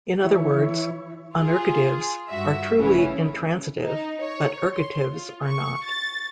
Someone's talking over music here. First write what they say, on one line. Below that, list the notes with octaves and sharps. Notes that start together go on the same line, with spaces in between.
In other words, unergatives are truly intransitive, but ergatives are not.
E3 E4 C#5
F4 G#4
G2 F#4 E5
A1 C#3 E3 A3 C#4 E4
D#4
C#5
C6
F4
C#6
A6